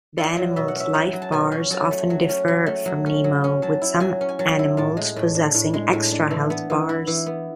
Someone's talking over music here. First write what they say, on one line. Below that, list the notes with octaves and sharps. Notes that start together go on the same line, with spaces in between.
The animal's life-bars often differ from Nemo, with some animals possessing extra health bars.
E4 D5
F#3
B2 E5
F#5
C#4 E5
E4 F#5
F#3
A5
B2 G#5
C#4
F#3 A5
A3
F#3
C#4
F#3
A3
F#3
C#4
F#3
C#4
F#3 A5
E4
F#3 G#5
C#4
G#5
F#3 A5
E4
A2 A5
G#3
A2
D4
A2
G#3
A2
D4
E3
B3
E3
E4
E3
B3